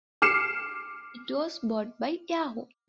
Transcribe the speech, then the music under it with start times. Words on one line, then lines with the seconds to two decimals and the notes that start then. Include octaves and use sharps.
It was bought by Yahoo!
0.22 D6 F6 C7 C#7 E7